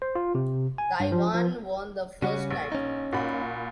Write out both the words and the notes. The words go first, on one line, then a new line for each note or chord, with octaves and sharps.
Taiwan won the first title.
C5
F4
C3
G#5
G2
F3
F3
C#3 G3 C#4 F#4
A#1
C#4 D#4
A#2 F#4 B5